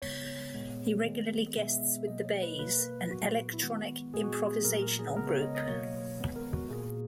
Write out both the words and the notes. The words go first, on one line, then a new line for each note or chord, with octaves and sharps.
He regularly guests with The Bays, an electronic improvisational group.
C#3 G#3 B3 C#5
A#2 G#3 B3
D#3 G#3 B3
B2 G#3 B3 E5
B2 F#3 A#3 D#5
C#5
B4
B2 A#3 B4
A#4
A#2 F#3 B3 F#4
E4
D#3 G#3 B3 F#4
A#2 G#3 B3 G#4
F#4
G#4
A#2 F#3 A#3 A#4
A#4
G#4
B4
C#3 G#3 B3 A#4
C#5
D#5
D#5
B2 F#3 A#3 C#5
D#3 G#3 B3
A#4
F#4
A#2 A#3 G#4